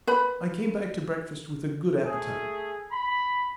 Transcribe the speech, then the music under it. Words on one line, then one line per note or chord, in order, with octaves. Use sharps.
I came back to breakfast with a good appetite.
B4 B5
A3 G#4
B5